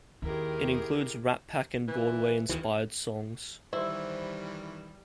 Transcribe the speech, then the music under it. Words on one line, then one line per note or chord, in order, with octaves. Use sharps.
It includes Rat Pack- and Broadway-inspired songs.
D#2 D#3 E4 G4 G#4 A#4
E3
D#2 D#3 E3
D#3 E3 G3 E4 F#4 C5